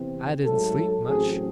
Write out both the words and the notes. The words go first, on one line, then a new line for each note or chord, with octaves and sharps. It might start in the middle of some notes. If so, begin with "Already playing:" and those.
I didn't sleep much.
Already playing: E2 C3 E3 C4
G#2 F#3 A3 A4
A1 A2 F#3 C4 G#4